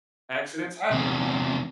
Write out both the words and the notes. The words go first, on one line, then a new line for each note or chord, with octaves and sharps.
Accidents happen.
E2 C3